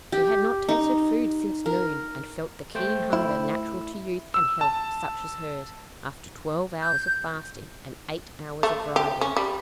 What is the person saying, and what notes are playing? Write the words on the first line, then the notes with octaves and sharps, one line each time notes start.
She had not tasted food since noon, and felt the keen hunger natural to youth and health such as hers, after twelve hours of fasting and eight hours of riding.
G4
D#4
A#4
A3 C5 G5
E4
E6
A5
G6
A3
G4
C#4
G3